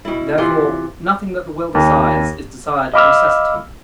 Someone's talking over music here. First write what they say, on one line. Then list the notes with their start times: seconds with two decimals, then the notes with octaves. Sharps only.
Therefore nothing that the will desires is desired of necessity.
0.05 B2 E4
0.38 C3 E3 F4
1.75 D#2
2.94 D#5 F5 B5 D6 E6 F6